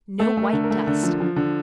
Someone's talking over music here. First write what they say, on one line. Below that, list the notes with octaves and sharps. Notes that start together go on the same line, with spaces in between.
No white dust.
A3 A4
A3
A#4
D3
A#4
A3
D3
F3
F3
D3